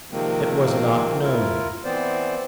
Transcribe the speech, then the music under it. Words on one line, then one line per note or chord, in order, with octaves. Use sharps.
It was not known.
C3 D#3 F3 G#3 A#3 C4
E4 F4 A#4
E3 B3 C4 C5 D5